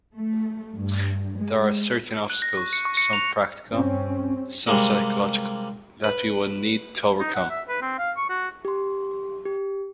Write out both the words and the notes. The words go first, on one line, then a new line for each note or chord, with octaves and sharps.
There are certain obstacles, some practical, some psychological, that we would need to overcome.
A3
G2
G#3
F#6
A#6
C#6
C#7
C#6
C#7
F7
G2 C4 C#4
C3 G3 G#3 A#3
B4
D#4
F#5
E5
B4
C4
F5
C#6
F#4
G4 C6
G4